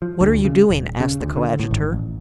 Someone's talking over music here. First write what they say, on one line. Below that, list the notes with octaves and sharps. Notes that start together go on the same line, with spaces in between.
"What are you doing?" asked the coadjutor.
F3
D2
C#3
D#1
C#3
D2
D3
A2
G#1
A1